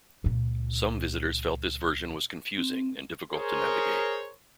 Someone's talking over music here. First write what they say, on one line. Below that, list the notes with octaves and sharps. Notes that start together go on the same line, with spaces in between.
Some visitors felt this version was confusing and difficult to navigate.
C#2 A#2
C4
G#4 A#4 C5 C#5